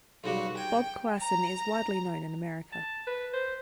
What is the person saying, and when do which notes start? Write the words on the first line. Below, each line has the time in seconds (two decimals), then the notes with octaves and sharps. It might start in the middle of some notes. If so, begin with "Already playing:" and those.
Bob Coassin is widely known in America.
0.24 B1 C#3 G3 F#4
0.57 G5 G#5
1.20 A#5
2.72 A5
3.07 B4
3.33 C5